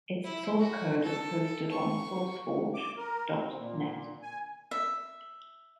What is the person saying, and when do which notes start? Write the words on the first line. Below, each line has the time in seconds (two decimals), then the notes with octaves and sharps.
Its source code is hosted on SourceForge dot net.
0.24 E4
0.58 F#4
1.02 A4
1.70 C#6
2.74 D6
2.97 A#4
3.31 C4
3.55 A#2
4.22 G#5
4.71 E5